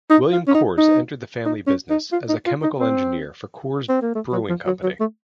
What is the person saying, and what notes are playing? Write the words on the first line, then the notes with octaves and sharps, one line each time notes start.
William Coors entered the family business as a chemical engineer for Coors Brewing Company.
D#4
F4
C#4
D#4
D#4
D#4
C#4
D#4
F4
D#4
F4
D#4
C4
C4
A#3
A3
F#3
F3
F#3
F#3
A3